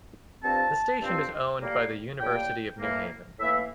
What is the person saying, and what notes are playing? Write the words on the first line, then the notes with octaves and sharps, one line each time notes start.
The station is owned by the University of New Haven.
G2 F3 C4 A5
G2 F3 C4
A2 G3 A#3
A2 G3 A#3 G5
A2 E3 A#3
A2 E3 A#3 E5